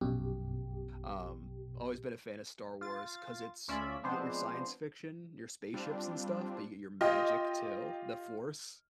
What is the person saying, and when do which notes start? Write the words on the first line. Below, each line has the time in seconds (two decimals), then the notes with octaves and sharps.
Um, always been a fan of Star Wars 'cause it's you get your science fiction, your spaceships and stuff, but you get your magic too, The Force.
0.01 A#1 F#2 B2 G4
2.81 F4 A6
3.68 D2 C#4 F4 D5 E5 B5
4.03 F3 G#3 B3 C4 D4 C5
5.74 G3 C4 D4 F4
7.01 F4 G4 D#5